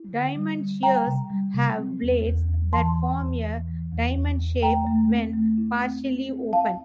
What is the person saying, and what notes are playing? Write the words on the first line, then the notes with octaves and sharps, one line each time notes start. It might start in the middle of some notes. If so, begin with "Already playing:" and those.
Diamond shears have blades that form a diamond shape when partially open.
Already playing: E4
D3
G3
G3
G3 G5 A#5
C3
G3
C3
C4
E2
E2
E2
E3 A5 C6
E2
E2
E3
E3
E2
E2
E2
A3 G5 A#5
A3
C4
A3
E4
C4
C4
C4
E4 F5 A5